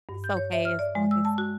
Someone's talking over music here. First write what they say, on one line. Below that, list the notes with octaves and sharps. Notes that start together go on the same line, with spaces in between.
it's okay as long as
G2
G6
C#5
E5
F6
D5
G#3
E6
A5
F#4